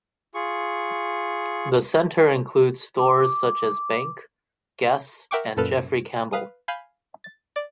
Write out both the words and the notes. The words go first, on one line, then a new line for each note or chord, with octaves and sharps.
The centre includes stores such as Bank, Guess and Jeffrey Campbell.
F4 G#4 C#6
D6
A#4 E5 F#5 G5 C#6 D6
F#2 A#2 A4 B4 F6
B4 F5 D#6
F5 G#5 B5 G6
A6
D5